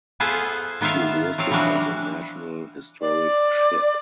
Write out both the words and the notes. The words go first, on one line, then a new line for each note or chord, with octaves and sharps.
She is listed as a National Historic Ship.
B3 F4 G#4 A4 B4 C5
D#3 B3 F4 E5 F5
F3 F#3 C4 F5
E3 F3 G3 D4 F#4
D5